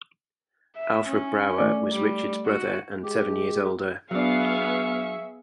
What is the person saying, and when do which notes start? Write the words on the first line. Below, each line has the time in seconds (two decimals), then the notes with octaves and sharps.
Alfred Brauer was Richard's brother and seven years older.
0.77 E5
1.07 C#4
1.59 A3 D5
1.92 G3
2.46 F#4
3.03 G#3 G4
4.11 F#3 B3 D4 G#4 E5 F5 C#6